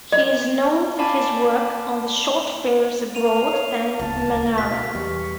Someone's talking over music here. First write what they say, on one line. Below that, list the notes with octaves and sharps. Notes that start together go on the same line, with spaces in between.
He is known for his work on the short films "Abroad" and "Manara".
D#5
D5 F5 G#5 A5 B5 D6
F5 D#7 F7
C#5
D1 C#2 A5
B2 F5 F6 B6
E2 G3 C#6